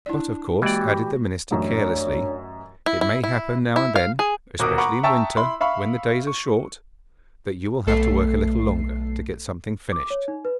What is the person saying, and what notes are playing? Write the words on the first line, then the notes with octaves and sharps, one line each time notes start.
'But, of course,' added the minister carelessly, 'it may happen now and then, especially in winter, when the days are short, that you will have to work a little longer, to get something finished.'
D4 E4 D5
E3 G#3 A#3 F#4 G4 D5 D#5
A1 F#2 D4 C#5
E4
E4
E4
E4
F5
G#4
D#1 B1 F#4 A#4 D6 D#6
F#5 A#5 B5 C#6 D6
E5 G5 A5 A#5 C#6 E6
E4 B5 C6
E5 F5 B5 C#6
C#6
B1 A3 A4 C7
D6
C#5
D#4
B4